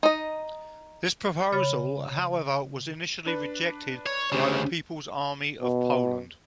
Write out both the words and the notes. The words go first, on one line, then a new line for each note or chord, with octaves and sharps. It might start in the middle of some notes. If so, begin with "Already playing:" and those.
This proposal, however, was initially rejected by the People's Army of Poland.
D#4 D#5
C#3 C#5 B5 F6 A6
D4 B4
C#5
D2 C#3 C#4 G4 C5
B2